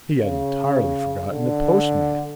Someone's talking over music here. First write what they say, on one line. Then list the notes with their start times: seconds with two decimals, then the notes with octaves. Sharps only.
He had entirely forgotten the postman!
0.18 C#3
1.33 D3